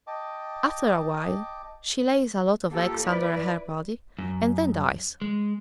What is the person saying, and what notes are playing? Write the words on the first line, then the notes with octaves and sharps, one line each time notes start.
After a while she lays a lot of eggs under her body, and then dies.
D#5 G5 A5 D6
A#3 F4 G4 A4
E4 B4 D5
F#2
G#3